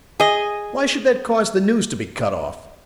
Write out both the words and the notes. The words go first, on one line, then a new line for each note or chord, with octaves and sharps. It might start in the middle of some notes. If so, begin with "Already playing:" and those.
Why should that cause the news to be cut off?
G#4 D#5